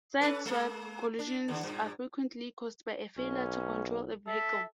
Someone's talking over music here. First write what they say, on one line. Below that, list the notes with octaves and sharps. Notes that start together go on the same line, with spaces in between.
Sideswipe collisions are frequently caused by a failure to control a vehicle.
C#4 A4 B4
G#3 A#3
D4
D#2 D3
G2 A#2
B1 C#4
A4 E5